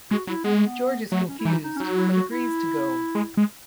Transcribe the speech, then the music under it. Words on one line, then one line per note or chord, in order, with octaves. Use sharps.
George is confused but agrees to go.
G#3 F#4
F#3 E4
G#3 B3
A3
B3
F#3 A3
C#4
E4
E3 D#4
D#4
C#4
F#3 D#4
E4
F#4
E4
G#3
G#3